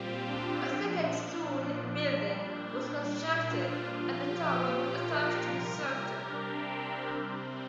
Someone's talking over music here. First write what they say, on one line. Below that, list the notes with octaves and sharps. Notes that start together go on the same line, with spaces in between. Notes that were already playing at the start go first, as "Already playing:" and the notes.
A second stone building was constructed and the tower was attached to the structure.
Already playing: A#2 G3 C4 F4 G4
D4
A#2 F3
D4
A#2 G3
D4
D4
F4
A#2 F3
G4
A#4
C3 G3
G4
D4
C4
C3 G3